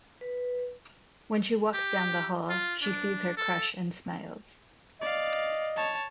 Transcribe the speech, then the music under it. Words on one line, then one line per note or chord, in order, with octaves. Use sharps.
When she walks down the hall, she sees her crush and smiles.
B4
G4
F4
D4
A4
D5 D#5 F5
C#5 A5